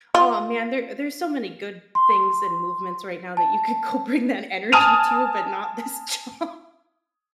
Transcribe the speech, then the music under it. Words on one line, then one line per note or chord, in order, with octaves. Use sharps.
"Oh man, there there's so many good things and movements right now that you could go bring that energy to, but not this job.
F4
C6
A5
G#5 A5 D#6 F6 D#7 F7